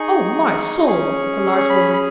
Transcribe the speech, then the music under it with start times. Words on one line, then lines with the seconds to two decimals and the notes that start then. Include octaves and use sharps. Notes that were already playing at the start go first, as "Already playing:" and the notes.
"O my soul!" said the large woman.
Already playing: D#4 G#4 C#6
0.86 C#4 G#4 C#6
1.58 C#6
1.69 B5
1.93 B5